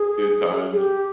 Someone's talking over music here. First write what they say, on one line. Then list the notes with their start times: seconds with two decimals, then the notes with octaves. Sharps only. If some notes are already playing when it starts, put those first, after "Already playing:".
Good times.
Already playing: G#4
0.73 G#4
0.77 G4